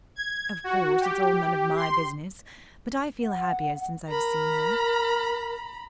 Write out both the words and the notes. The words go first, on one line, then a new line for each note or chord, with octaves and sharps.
Of course it's all none of my business, but I feel happier since I've seen her.
G#6
F#4
G4
C6
F#5
A#4 A#5 B5